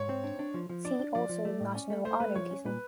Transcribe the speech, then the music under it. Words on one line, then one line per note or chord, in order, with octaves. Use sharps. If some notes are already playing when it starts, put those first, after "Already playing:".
See also National anarchism.
Already playing: G#2 C#5
C4
D4
D4
F3
F3
D4 D5
D4
F3 D5
F3
A3
A2
C#4
A3
A3 C5
A3 B4
F3 C#5
C#4
A#2 B4